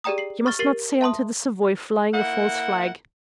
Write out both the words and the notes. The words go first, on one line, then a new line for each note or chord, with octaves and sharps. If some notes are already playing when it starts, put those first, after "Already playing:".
You must not sail into the Savoy flying a false flag.
G4 G#4 D5 G5 A#5 D#6
C7 F#7
C#6 F6 A6 G7
G4 A#4 A6 C7 G7
E5 A5 C6 D#6
A#3 E4 F#5